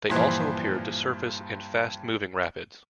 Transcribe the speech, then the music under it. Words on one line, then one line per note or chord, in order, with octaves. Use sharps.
They also appear to surface in fast-moving rapids.
G2 A#2 E3 F3